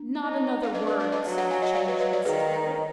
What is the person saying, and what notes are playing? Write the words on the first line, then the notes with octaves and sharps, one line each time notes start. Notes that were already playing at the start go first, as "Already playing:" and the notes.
'Not another word,' said the changed Mrs Biddle.
Already playing: D4
D#4
F5
D4 B4 D#5
B4 D#5
D5 F5
B4 D#5
F#3
F#5 A#5
F5 G#5
D#5 F#5
D5 F5
B4 D#5
B4 D#5
D5 F5
D#3 G#4 B4